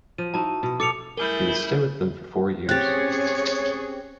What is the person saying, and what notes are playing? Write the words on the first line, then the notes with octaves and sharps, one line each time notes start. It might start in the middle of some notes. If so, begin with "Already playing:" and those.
He would stay with them four years.
F3 D#7
D#4 E4 F#4 A5
B2
B2 A4 D6 C#7 F7
F#2 G3 A3 E4 G#4 A#4 G7
C4 C#4 G4 G#4 C#5 F#6 A6